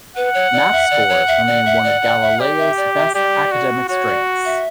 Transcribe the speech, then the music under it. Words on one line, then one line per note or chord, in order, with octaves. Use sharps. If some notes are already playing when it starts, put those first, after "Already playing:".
Math scores remain one of Galileo's best academic strengths.
B4 F#5
C#5
D5
E5
D5
C#5
E5
D5
E5
D5
D5
E5
G4 D5
E5
D5
E5
G4 D5
F#4
F#4 C#5
D5
E5